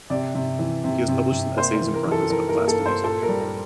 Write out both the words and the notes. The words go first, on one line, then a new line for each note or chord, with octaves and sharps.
He has published some essays and primers about classical music.
C3 D5
C3
E3
C3
C3
C3
A#3 C5
C5
E3
A#4
E3
A4
E3 A#4
A#4
A#3
A4
A#3
C5
A#2 A4
A#4
G3
A#4